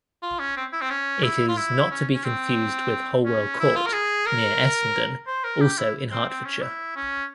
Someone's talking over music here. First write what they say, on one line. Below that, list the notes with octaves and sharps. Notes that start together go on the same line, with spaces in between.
It is not to be confused with Holwell Court, near Essendon, also in Hertfordshire.
F4
C#4
C4
E4
C4
C#4
E4
F4
E4
C#4
C#4
C4
C#4
E4
F4
A#4
G#4
A#4
C5
A#4
G4
E4
C4
C4
C#4
E4
C#4